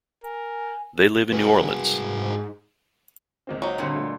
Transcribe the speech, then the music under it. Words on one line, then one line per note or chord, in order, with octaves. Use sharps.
They live in New Orleans.
A#4 G#5
C2 F#4 G#4 A#4 B4
G#2
C#2 A#3 C4
F#3 D#4
G2 A#2 D3 C4 G4
A3